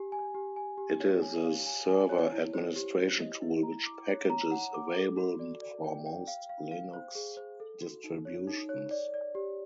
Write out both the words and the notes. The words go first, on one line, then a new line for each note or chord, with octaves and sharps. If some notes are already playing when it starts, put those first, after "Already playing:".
It is a server administration tool, with packages available for most Linux distributions.
Already playing: G4 G#5
G#5
G4
G#5
G4
C#5
G#5
F5
G#5
G#5
C#5
E4
C5
G4
C5
D#5
E4
A#5
D6
C#5
A#5
F#5
D6
A4
F#4
D5
D5
G5
G5
F5
F5
F5
C5
G#4
C5
A4
F#4
D#4
C#5
D#4
C#5
D5
D5
G4